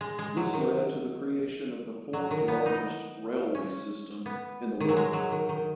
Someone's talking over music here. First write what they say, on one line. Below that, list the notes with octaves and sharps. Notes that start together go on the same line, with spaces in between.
This led to the creation of the fourth largest railway system in the world.
G#3
G#3
F#3
D#3
F#3
D#3
B3
D#4
C#4
B3
D#3
F#3
G#3
F#3
D#3
D#3